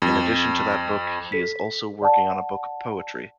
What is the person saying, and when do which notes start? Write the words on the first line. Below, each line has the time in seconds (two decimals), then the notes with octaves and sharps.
In addition to that book, he is also working on a book of poetry.
0.02 F2
1.32 A4 B6
2.02 D5 F#5 A5